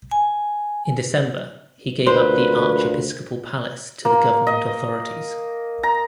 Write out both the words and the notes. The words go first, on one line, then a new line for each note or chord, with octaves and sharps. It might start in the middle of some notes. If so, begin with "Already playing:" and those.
In December he gave up the archiepiscopal palace to the government authorities.
G#5
D2 A#2 B4 C5
A#3
D#5
A#5